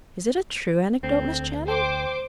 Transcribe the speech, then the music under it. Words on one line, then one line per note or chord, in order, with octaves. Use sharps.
"Is it a true anecdote, Miss Channing?"
D2 C4
C5 G5 D6